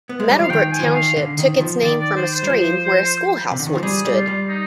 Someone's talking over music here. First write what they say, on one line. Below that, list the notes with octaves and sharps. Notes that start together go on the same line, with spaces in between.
Meadow Brook Township took its name from a stream where a schoolhouse once stood.
B3
G#3
G3
F3 F5
D#3 G5
G#5
F3
D#3
F5
D3
D#3
D#3
F3
D#3 D5
D5
C5
C5
G3
F3
C3
D3
D#3
F3
G3 G#4
G3
F4
G3
D#4